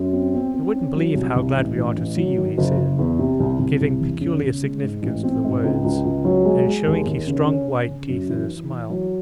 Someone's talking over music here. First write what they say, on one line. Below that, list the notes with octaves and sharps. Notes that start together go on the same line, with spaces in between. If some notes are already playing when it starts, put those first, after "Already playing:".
"You wouldn't believe how glad we are to see you," he said, giving peculiar significance to the words, and showing his strong white teeth in a smile.
Already playing: F#2
C4
C4
C4
C#4
F#3
C2
C2
A1
A1
A1
F#3
D#3
F#1
F#1
E2
C3
C2
C2
C2
E1
C#3
C#3
G#3
G#2
A1
C4
G#2
C#2
C#2
C#2
F#3
G#3
G#3
D#2
D#2
C#3
C#4
C#4
C#3
F#2
E3
E3
E3
F#3